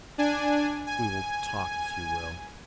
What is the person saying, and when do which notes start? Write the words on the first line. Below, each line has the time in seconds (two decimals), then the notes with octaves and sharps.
"We will talk, if you will."
0.18 D4 G#5
0.87 G#5